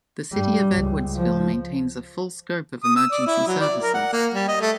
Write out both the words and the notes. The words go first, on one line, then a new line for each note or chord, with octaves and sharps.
The city of Edwardsville maintains a full scope of emergency services.
G2 G3
C#2
F3
D#6
E6
D5
E4
F#3
D5
A#4
F#5
A#3
G3
D#5
A3